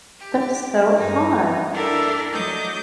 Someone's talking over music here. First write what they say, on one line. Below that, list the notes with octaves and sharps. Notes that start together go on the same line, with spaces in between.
That's so odd.
G4
G2 D#4
D4 E4 G4 A4 A#4 D5
F#3 A3 D#5 D6 G6